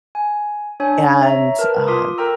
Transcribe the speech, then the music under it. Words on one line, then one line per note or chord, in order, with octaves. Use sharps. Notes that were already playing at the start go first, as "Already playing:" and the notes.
and, uh
G#5
D4 C#5 G#5
C#5 E5 A#5
A#4 B4 A5 F6
F4 C6 D6 D#6
A4 A#4 G5 A#5 E6